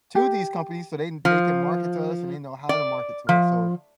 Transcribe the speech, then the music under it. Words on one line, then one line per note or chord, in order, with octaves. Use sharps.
to these companies so, they they can market to us, and they know how to market to us, so
G4
F3
D5
F3